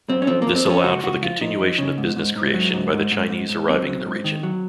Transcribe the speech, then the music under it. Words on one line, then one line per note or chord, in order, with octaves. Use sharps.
This allowed for the continuation of business-creation by the Chinese arriving in the region.
F#2 C4
C#4
F3 C4
F3 A#3
C4
F3
C#4
C#2 F#4
C#2 F#4
F3 F4
F3 D#4
F3
C#3
G#2
G#2
G#2
F#3
G#2
G#2
G#2
G#2
G#2
F#3 C4
F#3
G#2
D#3
F#3